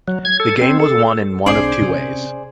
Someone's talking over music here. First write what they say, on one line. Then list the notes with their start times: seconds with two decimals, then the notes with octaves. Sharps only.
The game was won in one of two ways.
0.08 F#3
0.25 G#6
0.40 A4
0.61 C4
0.80 A4
1.46 B1 C4 D4 G#4 C5 D5
1.81 C3 C#4